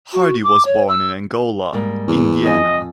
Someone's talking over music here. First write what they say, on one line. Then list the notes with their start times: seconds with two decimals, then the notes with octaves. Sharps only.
Hardy was born in Angola, Indiana.
0.13 F#4
0.44 D6
0.65 C#5
0.88 E6
1.73 G#2 G3 A#3
2.08 E2
2.46 F2 D#5 G#5